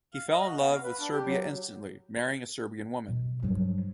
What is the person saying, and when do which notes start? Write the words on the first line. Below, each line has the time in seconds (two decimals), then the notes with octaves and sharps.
He fell in love with Serbia instantly, marrying a Serbian woman.
0.14 F5
0.30 D#5
0.46 F#4
0.59 B3
0.72 F5
0.84 B4
1.00 D4
1.13 G4
1.26 F#3
3.08 B2
3.43 G2 F3 F#3